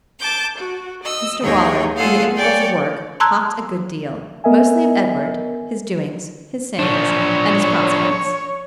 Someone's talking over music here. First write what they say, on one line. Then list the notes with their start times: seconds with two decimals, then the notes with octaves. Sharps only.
Mr Waller, in the intervals of work, talked a good deal, mostly of Edward, his doings, his sayings, and his prospects.
0.19 A5 D6 G6
0.56 F#4
1.02 D#5 E6
1.42 D#2 D#4 G#4 C#5 G5
1.95 A3 F4 G#4 A4 F5 F#5
2.35 C#5 D5 G5 G#5
3.20 A5 A#5 C6 E6 F#6 G#6
4.44 B3 A#4 D#5 E5 G#5
6.79 F3 D4 C#5